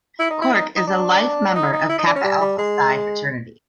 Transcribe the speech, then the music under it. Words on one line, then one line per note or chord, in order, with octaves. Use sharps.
Corke is a Life Member of Kappa Alpha Psi fraternity.
E4
D#4
E4
D#4
D#4
D4
D#4
D#4
E4
D#4
D4
C#4
G3
G3
G#3